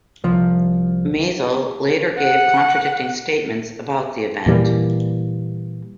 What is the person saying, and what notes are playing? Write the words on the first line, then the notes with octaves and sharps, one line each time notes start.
Mazel later gave contradicting statements about the event.
C2 F3
F#5
A#2 E3 G3 A#3